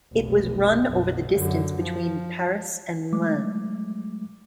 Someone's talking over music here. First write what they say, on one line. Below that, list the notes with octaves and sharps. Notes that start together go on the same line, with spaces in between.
It was run over the distance between Paris and Rouen.
F1 B1
B1 F#2
F#2 D3
F3
F#3 G#3 A3 D6